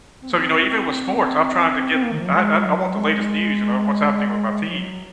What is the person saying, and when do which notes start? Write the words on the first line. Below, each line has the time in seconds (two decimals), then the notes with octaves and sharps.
so, you know, even with sports, I'm trying to get I I I want the latest news and know what's happening with my team.
0.23 C4
0.32 A#3
0.39 C4
1.93 C4
2.04 A#3
2.13 D#3
2.20 F3
2.27 F#3
2.35 G#3
2.65 F#3
2.95 G#3
4.69 F3
4.75 F#3